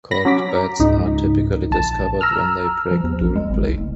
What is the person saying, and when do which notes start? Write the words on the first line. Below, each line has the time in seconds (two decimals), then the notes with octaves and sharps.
Corked bats are typically discovered when they break during play.
0.11 B5 A#6
0.25 F#3 C#4 D6 B6
0.49 A#5
0.79 C#2 G#2 D#4
1.70 A#1 A5
2.21 A#5 E6 F6
2.91 F3
3.04 E2
3.21 A#1
3.35 G#3
3.50 G#1
3.66 C2
3.80 F#1